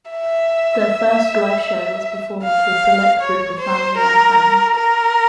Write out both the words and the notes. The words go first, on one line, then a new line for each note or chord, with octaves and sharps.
Their first live show was performed to a select group of family and friends.
E5
F5
C#5
C5
A#4
A#4